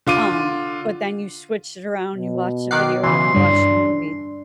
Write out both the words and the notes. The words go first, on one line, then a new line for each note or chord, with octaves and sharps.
um, but then you switched it around and you watched a video or you watched a movie,
D3 F4 D6 D#7
B2
D#3 F#5 D6 F#6 C7
C#3 E3 C6
G2 D3 G3 D4